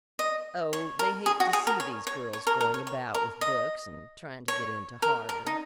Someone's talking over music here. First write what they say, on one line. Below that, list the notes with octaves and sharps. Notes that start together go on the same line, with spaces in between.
"Oh, they hate to see these girls going about with books, and trying to get into Harvard."
D#5
C#5
A#4
G#4
F#4
G#4
A#4
C#5
C#5
C#5
A#4
A#4
C#5
C#5
A#4
D#5
C#5
A#4
A#4
D#4